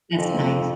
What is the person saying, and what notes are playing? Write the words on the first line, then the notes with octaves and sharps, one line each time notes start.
That's nice.
F2